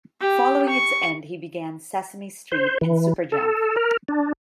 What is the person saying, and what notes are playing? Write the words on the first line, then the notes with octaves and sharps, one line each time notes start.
Following its end, he began "Sesame Street" in "Super Jump".
G4
C#6
C5
E3
A4
A#4
D4